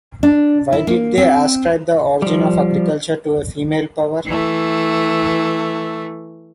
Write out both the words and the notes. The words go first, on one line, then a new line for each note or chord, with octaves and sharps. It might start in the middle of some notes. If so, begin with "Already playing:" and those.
Why did they ascribe the origin of agriculture to a female power?
D4
E4
A#3
C4
F3 G3
E3 A3